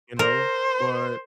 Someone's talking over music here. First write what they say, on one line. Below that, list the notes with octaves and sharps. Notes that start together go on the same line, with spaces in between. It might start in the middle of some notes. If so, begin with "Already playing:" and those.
you know? But,
A#4 C5